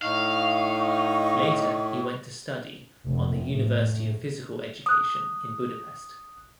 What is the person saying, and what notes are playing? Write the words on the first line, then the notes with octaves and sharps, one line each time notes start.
Later he went to study on the University of Physical Education in Budapest.
A2 D#4 F5 C#6
F1
A2
D#6 F#6